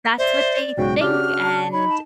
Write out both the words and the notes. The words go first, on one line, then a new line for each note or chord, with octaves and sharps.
That's what they think. And,
C5 D5 E5
B1 G#2 C#3 F#4 G5
C#3 D4 F#4 G4 F6
A5
D#4 C#5 B5
A5